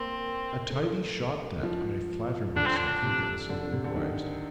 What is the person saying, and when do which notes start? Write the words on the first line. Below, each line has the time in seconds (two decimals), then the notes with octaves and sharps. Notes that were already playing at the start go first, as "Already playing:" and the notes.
'A tidy shot that, I flatter myself,' he then soliloquised.
Already playing: A#3 C4
0.70 A3
1.63 F3
2.56 D3 D4
2.66 C4
2.77 D4
3.02 C3
3.49 D3
3.73 C3
3.84 D3
3.96 D#3